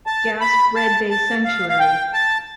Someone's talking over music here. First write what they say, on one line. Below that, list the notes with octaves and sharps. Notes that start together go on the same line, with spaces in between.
Gast Red Bay Sanctuary.
A5
B5
A5
A5
F5
F5
G5
A5